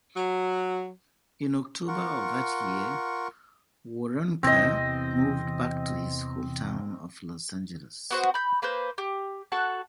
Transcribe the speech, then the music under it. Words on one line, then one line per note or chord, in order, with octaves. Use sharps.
In October of that year, Waronker moved back to his hometown of Los Angeles.
F#3
F4 A#4 F#5 C#6
E2 C3 E3 C4 D#5
B3 F#4 C5
B5 G6
A#3 B4 C5 G6
G4
F#4 A4 F#5 A5